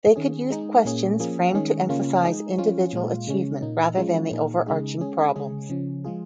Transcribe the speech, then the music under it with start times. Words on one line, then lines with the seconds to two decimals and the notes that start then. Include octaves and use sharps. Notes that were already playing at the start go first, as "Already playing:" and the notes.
They could use questions framed to emphasize individual achievement rather than the overarching problems.
0.16 D#3 C#4 G#4
0.50 G#3 D#4 G#4
0.85 A#2 A#3 C#4 G#4
1.20 F3 A#3 C#4 G#4
1.54 D#3 G#3 C#4 G#4
1.89 C#3 A#3 C#4 F4
2.23 G#3 D#4 G#4
2.58 F3 C#4 F4
2.93 A#2 G#3 F4
3.27 C#3 G#3 C#4
3.62 A#2 A#3 D#4
3.97 F3 G#3 C#4 F4
4.31 A#2 A#3 D#4 G#4
4.66 C#3 G#3 D#4 G#4
5.00 G#3 C#4 G#4
5.36 C#3 G#3 C#4 G#4
5.70 C#3 F3 C#4
6.04 F3 G#3 F4 G#4